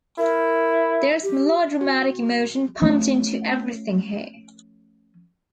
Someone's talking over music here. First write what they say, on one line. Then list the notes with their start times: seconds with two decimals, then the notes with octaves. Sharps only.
There's melodramatic emotion pumped into everything here.
0.18 E4 A#4
1.23 G4
1.81 F#4
2.82 F3 A3 C#4